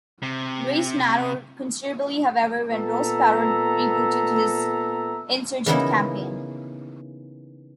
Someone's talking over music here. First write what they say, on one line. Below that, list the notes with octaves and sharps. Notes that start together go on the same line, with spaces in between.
The race narrowed considerably, however, when Ross Perot rebooted his insurgent campaign.
C3
A#2 B3 A4 E5 A#5
C#3 E3 A#3 B3 D#4 E4